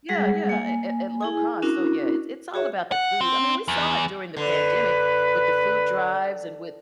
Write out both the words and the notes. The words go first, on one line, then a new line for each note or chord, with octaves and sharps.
Yeah, yeah, at at at low cost, so yeah, it's it's all about the food. I mean, we saw it during the pandemic with the food drives and with,
G3 G#3 G#4 F#5
A#3 G#5
E4 G#4 G#5
C#4 D4 E4 F#4 A#4
F#4 G#4 C#5 E5
F#5
C4
E2
D3 B4